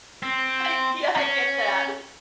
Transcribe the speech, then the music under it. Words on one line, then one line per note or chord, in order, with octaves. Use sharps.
I yeah, I get that.
C4
C#4